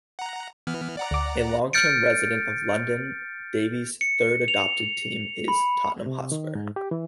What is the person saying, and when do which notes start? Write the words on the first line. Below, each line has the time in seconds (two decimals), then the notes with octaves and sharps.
A long-term resident of London, Davies' third adopted team is Tottenham Hotspur.
0.19 F#5 A#5
0.67 E3 B3 F6
0.97 D5 F#5 A#5
1.11 D2 D6
1.73 F6 G6 A6 C#7 D7
4.01 C#7
4.48 F7
5.48 B5
6.06 C3
6.32 D#3
6.55 G#2
6.76 G4
6.91 E3